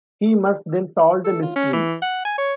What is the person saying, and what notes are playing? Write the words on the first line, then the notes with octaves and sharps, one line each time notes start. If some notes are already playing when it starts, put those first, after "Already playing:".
He must then solve the mystery.
A4
F4
C#4
E3
F#5
G#5
C#5